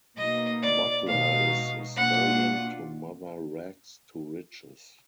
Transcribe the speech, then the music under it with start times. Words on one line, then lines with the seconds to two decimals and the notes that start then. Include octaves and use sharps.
Butler is stallion to mother Rags to Riches.
0.17 B2 A#3 D#4 D#5
0.62 D5
1.06 B2 G#3 D#4 F5
1.96 B2 A#3 D4 F4 F#5